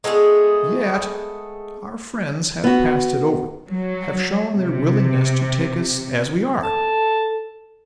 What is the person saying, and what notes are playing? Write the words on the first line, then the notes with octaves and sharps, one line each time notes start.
Yet--our friends have passed it over, have shown their willingness to take us as we are.
G#3 A3 B3 G#4
B3 F#4
F#3
C3
A4 A5